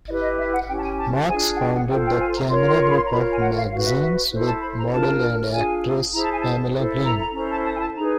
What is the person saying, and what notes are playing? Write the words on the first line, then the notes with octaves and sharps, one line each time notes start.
Marks founded the Kamera group of magazines with model and actress Pamela Green.
E4 G4 B4 D#5
D#5
E5
F#5
C#4 E4 G4 G5
A5
G#5
A5
A5
D4 F4 G#4 G#5
F#5
G5
F#5
F4 A4 C5 G5
G5
G#5
A#5
F4 A#4 C#5 C6
C6
C6
B5
C6
A#5
F4 A#4 C#5 B5
G#5
F#5
F5
F#4 B4 F5
E5
E5
E4 A4 C5
A5
B5
A#5
D4 F4 A#4 A5
D4 F4 G#4 G#5
E4 G#4 C5 A#5
A5
G#5
A5
E4 A4 C5
A#5
A#5
C#4 E4 A4 C5 A#5
A5
A5
G#5
A5
D#4 G#4 B4 A#5